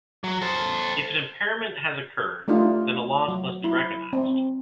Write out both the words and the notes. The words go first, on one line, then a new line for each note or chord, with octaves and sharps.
If an impairment has occurred, then a loss must be recognized.
F#3
A4 C5
A3 D4 D#4 F4 G4
F#3
E4
C4